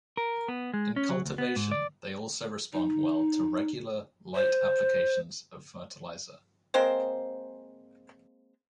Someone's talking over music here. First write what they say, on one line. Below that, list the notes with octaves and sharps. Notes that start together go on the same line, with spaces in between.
In cultivation, they also respond well to regular, light applications of fertilizer.
A#4
B3
G#3
C#4
F#3
D2
B3
G#2
D5
D#4
C5
G#3 A#3 C4 C5